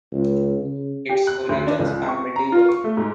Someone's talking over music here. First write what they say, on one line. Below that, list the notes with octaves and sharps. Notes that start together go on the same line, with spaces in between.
Its origins are medieval.
C#2
C#3
G4
F#6
D2
D4
C#2
C#6
A#5
F4
C#6
A3
G#2